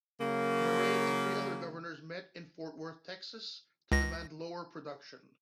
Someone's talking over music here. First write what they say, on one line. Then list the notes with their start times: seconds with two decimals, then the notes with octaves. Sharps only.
Murray and three other governors met in Fort Worth, Texas to demand lower production.
0.21 C#3 F#3 A#3
3.92 C#2 A#6